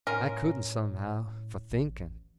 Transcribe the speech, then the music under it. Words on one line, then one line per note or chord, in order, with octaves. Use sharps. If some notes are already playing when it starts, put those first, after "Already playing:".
I couldn't, somehow, for thinking.
A2 C#4 F4 A#4
A1